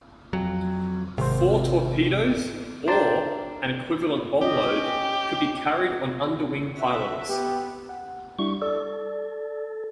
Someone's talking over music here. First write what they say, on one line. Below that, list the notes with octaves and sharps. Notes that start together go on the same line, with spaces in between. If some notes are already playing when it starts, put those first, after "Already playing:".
Four torpedoes or an equivalent bomb load could be carried on underwing pylons.
F2 F#3
G#1 C3 C5
D4 C5 G5 A#5 A6
C#4 G4 D#5
F#4 E5
B3 G4
F#5
G3 D4 E4 C#6
A4 D5